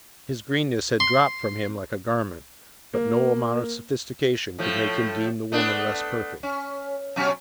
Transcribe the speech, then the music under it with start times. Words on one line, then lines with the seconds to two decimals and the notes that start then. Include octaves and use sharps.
His greenness had dropped from him like a garment, but no amount of sophistication could make him deem the woman less perfect.
1.00 C6
2.94 A#3
4.58 A2 F3 A3
5.52 A3 B3 D4
6.43 C#4
7.16 B2 F#3 C#4